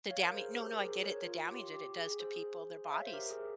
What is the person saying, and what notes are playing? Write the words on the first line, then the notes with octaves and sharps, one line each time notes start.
The dama no, no, I get it, the damage that it does to people, their bodies.
C#5 F5
A#4
G#4 C5
G4 A#4
G#4 C5
A#4 C#5
F4
F4
G4
G4
G#4
G#4 C5
F5
E5
C#5
C5
G4 A#4
G#4